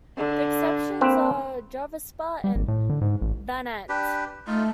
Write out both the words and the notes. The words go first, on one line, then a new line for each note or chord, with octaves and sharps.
The exceptions are Drvaspa and Vanant.
D3
A#3 C4 B4
G3
G#1
A2
D3
G#2
A1
D4 G4 B4
A3 D#4 F4